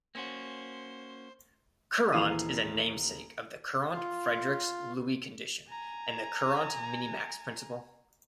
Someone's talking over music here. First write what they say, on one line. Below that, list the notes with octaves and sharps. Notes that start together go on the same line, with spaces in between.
Courant is a namesake of the Courant-Friedrichs-Lewy condition and the Courant minimax principle.
A#3 C#4 F#4 C5
D#1 E3 F5 D#7
F4
G#5 A#5